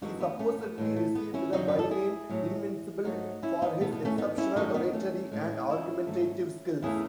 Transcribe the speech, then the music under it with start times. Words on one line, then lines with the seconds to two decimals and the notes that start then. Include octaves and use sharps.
He supposedly received the byname "invincible" for his exceptional oratory and argumentative skills.
0.02 F#2 E3 A3 D#4 F#4
0.21 B3
0.39 A3 C#4
0.59 B3
0.78 A2 E3 G#3
0.96 A3
1.15 B3
1.34 C#4 E4
1.53 F#2 C#3 F#3 D#4 F#4
1.68 B4
1.79 A4
1.91 E4 G#4
2.30 A2 F#3 A3
3.04 G#2 F#3 A3 D#4 F#4
3.42 C#4 E4
3.62 B3 D#4
3.81 E2 B2 A3 B3
3.92 B3
4.05 A3 C#4
4.18 B3 D#4
4.37 C#4 E4
4.56 F#2 D#3 A3 D#4 F#4
4.74 B3 D#4
4.93 A3 C#4
5.31 A2 G#3
5.69 C#4 E4
6.07 G#2 F#3 A3
6.82 E2 C#3 E3 A3 E4 G#4